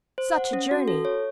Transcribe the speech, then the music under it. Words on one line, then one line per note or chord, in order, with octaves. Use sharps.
"Such a journey!"
C5
F#5
C#4
F#4
A4
C#5